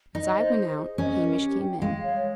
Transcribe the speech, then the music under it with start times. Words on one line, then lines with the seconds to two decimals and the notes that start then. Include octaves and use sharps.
As I went out, Hamish came in.
0.15 D#4 D#5
0.36 C5
0.57 G#4
0.77 G#4
0.98 C#4 D#5
1.19 A#4
1.40 G4
1.62 G5
1.82 G#3 F5
2.03 C#5